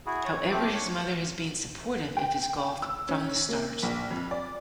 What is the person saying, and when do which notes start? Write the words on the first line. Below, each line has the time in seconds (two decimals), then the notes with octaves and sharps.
However, his mother has been supportive of his golf from the start.
0.06 E4 F#4 G#4
0.25 C#5
0.51 A3 C4 G4 D6
0.74 D4 C#5 C#6
2.17 G5
2.82 E6
3.09 C#4
3.49 A#3
3.83 A#1
4.11 F2
4.31 D5